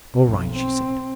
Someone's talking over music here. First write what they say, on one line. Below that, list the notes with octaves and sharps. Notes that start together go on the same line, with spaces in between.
"All right," she said.
B1 F2
C4